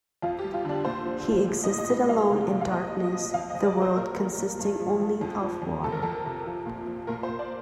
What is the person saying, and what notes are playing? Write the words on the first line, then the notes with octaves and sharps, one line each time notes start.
He existed alone in darkness, the world consisting only of water.
F2 F4
G4
G3
F4
D3 D4
A#2 C5
F3
A#2
A2
D#5
A2
D#5
A2 D#5
G3 F5
C3
C3
F5
A#2 D#5
F3
D#5
F3
F2 F5
D#5
F2
D5
F3
C5
A#2 A#4
G3
A#2
G2
F3
F3
F2
F3
F2
C3 A4
A#4
F2 A4
C3
F3
A#2
F3
A#2 A#4
C5
A#2
D5